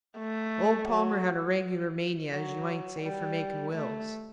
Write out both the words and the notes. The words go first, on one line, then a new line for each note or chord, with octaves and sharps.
Old Palmer had a regular mania, as ye might say, for makin' wills.
A3
F#3
F#3
G3
A3